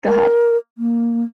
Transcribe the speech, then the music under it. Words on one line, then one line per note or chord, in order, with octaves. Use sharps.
Go ahead.
A#4
A#3